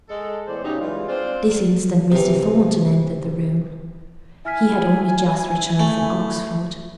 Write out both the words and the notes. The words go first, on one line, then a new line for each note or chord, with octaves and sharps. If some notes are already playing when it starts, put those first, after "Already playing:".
At this instant Mr. Thornton entered the room; he had only just returned from Oxford.
G#3 A4
E2 A2 C5 D5
C#3 F#3 D#4 G4
E3 G3 G#3 F4
C4 D4 F4 C5
C3 E3
E4 E5 G#5 F6 B6
A3